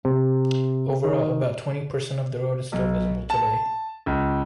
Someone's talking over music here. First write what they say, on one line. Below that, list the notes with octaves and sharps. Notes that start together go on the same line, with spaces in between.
Overall, about twenty percent of the road is still visible today.
C3
D#3
B1
A5
C#2